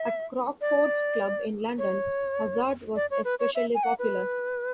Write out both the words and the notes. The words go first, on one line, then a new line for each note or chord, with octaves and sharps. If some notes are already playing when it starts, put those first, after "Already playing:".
At Crockford's Club in London, hazard was especially popular.
Already playing: E5
D5
C#5
D5
C#5
B4
C#5
E5
G#5
F#5
B4